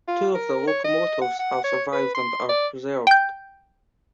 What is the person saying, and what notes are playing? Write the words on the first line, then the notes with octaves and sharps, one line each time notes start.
Two of the locomotives have survived and are preserved.
F4
A#4
C#5
D#5
F#5
F#5
C#5
B4
C6
D5
G5 G6